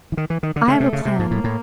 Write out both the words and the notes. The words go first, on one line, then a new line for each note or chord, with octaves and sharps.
I have a plan.
E3
D#3
E3
D#3
D3
C#3 A3
C3
C#3
C3
G#2 A#3
A2
A2